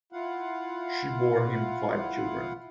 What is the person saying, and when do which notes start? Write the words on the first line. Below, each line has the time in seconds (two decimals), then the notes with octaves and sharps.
She bore him five children.
0.12 E4 F4 F5 F#5